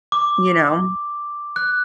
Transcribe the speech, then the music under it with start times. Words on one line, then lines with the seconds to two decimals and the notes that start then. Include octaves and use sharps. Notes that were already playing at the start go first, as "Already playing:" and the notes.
You know?
0.12 D6
1.56 F#6